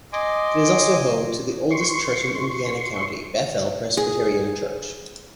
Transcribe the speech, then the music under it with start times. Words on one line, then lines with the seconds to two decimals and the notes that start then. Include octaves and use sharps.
It is also home to the oldest church in Indiana County, Bethel Presbyterian Church.
0.13 D#5 G#5 C6 D6
1.71 C6 C#6
3.97 G#4